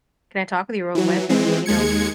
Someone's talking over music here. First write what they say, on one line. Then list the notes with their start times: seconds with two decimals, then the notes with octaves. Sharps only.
can I talk with you real quick?" And, you know,
0.95 E3 F#3
1.29 E3 G#3 C4
1.66 D#2 G#3 G#6 C#7